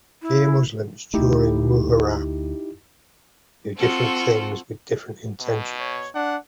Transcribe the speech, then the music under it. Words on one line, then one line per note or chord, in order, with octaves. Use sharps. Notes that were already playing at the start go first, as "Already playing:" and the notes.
Shia Muslims during Muharram do different things and with different intentions.
E4
D2 A3 D#4 E4 G4
C4 F4 F#4 A4
B2
C#5
D4 F#5